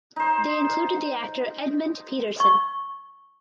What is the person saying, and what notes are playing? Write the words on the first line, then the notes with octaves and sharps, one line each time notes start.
They included the actor Edmund Petersen.
D#4 C5
C#6